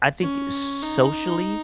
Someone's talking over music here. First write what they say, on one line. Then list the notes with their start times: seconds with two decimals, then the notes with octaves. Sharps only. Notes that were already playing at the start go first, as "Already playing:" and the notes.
I think socially,
0.23 C#4
0.82 D#4